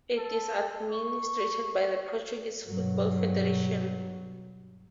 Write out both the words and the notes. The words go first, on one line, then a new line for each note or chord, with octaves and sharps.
It is administrated by the Portuguese Football Federation.
A4
C#6
G2 B2 F#3